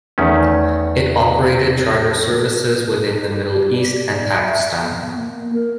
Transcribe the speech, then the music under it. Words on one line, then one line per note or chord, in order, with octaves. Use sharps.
It operated charter services within the Middle East and Pakistan.
E2 D#3 A3 C#4
G4
D5
E5
B3
A#3
A#4